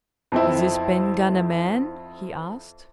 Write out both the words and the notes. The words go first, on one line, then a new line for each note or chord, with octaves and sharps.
"Is this Ben Gunn a man?" he asked.
F2 C4 E4